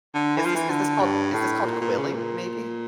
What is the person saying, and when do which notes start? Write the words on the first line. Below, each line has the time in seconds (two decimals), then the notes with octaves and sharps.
Is this is this called is this called quilling maybe?
0.15 D3
0.37 E3
0.46 F3
0.55 E3
0.69 D3
1.01 G2
1.33 A2
1.65 A#2
1.81 A#2
1.98 C#3
2.14 A#2